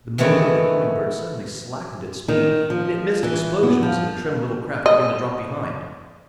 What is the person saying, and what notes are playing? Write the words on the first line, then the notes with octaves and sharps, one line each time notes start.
The motor of the Humming-Bird suddenly slackened its speed, it missed explosions, and the trim little craft began to drop behind.
D#3 E3 A3 B3 F#4 D5
D#3
F3
E3
B3
F3
D#5